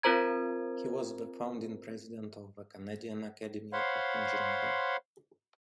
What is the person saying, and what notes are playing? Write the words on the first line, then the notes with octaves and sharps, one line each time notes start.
He was the founding President of the Canadian Academy of Engineering.
C4 F4 A#4 C5 A#5 G#6
C5 C#5 F5 F#5 B5 C6